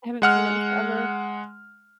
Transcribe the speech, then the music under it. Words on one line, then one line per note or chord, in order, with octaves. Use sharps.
I haven't seen it in forever.
G#3 F#5 F6